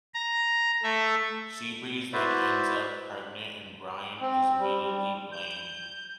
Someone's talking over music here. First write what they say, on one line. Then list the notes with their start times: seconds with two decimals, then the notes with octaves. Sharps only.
Seabreeze then ends up pregnant, and Brian is immediately blamed.
0.14 A#5
0.83 A3 E5
2.13 E4 F#4 B4 C5 D5 E5
4.21 C4
4.60 G3
4.82 G3
5.32 G6